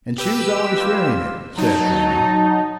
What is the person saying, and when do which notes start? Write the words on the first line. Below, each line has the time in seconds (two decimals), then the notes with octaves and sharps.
"And she was always fearing it," said Fanny.
0.18 G4 B4 E6
0.78 F4
1.58 F#3 D#4 A5